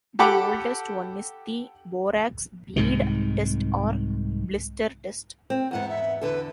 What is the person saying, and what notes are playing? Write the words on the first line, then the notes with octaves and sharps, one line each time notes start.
The oldest one is the borax bead test or blister test.
G4 A4 F#5 G5 B5 D6
C2 G#2 C3 D#3
C4
E2 G#2 B3 F#5
E5
E2 D3 A4 B4